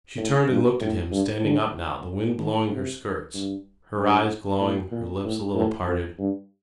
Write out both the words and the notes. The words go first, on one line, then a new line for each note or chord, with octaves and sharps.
She turned and looked at him, standing up now, the wind blowing her skirts, her eyes glowing, her lips a little parted.
A2
G2
A2
G2
D3
D#3
C3
G2
G2
A2
A#2
A2
A2
F2
G2